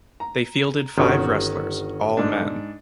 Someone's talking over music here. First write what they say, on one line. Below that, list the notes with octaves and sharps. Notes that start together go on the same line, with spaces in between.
They fielded five wrestlers, all men.
A#5
G1 D#3 C#4 F#4
G#2 D4